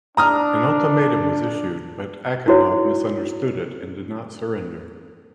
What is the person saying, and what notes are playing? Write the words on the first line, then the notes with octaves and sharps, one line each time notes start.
An ultimatum was issued, but Achinov misunderstood it and did not surrender.
D4 A#5 D#6 F6
D#4 E4 F#4 C#5 E5